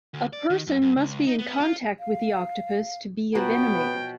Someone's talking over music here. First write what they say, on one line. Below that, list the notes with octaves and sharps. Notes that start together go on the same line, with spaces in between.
A person must be in contact with the octopus to be envenomated.
D2
D5
D#3
F#2
F#2
C#2
D#4
B3
F4
F5
B2 F3 F#3 B3 B4 G5